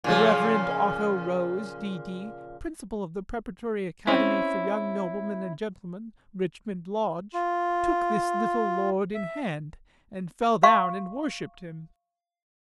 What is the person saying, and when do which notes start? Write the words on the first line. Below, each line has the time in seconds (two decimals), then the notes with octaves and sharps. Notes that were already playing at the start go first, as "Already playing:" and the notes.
The Reverend Otto Rose, D.D., Principal of the Preparatory Academy for young noblemen and gentlemen, Richmond Lodge, took this little Lord in hand, and fell down and worshipped him.
0.04 A#2 C#3 F3
4.07 C4 C#4 E4
7.34 F4
9.14 E5
10.63 F5 C6 C#6